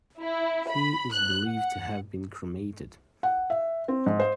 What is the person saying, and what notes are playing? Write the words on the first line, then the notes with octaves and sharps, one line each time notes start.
He is believed to have been cremated.
E4
B5
F#6
F#5
F#5
E5
C4
G#2
C5